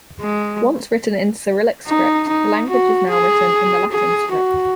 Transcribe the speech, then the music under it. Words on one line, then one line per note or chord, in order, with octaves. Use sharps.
Once written in Cyrillic script, the language is now written in the Latin script.
G#3
D#4
D#4
F#4
G#4
G#4
F#4